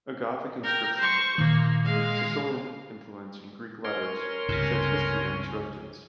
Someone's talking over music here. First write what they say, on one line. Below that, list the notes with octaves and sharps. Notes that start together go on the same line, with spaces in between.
A Gothic inscription, with Sicilian influence and Greek letters, sheds history on this residence.
A#4 G5
C5 C#6
A#2 D#3 A#3
G#3 F5
C#4 A#4 C#5 C6
C#2 G2 C3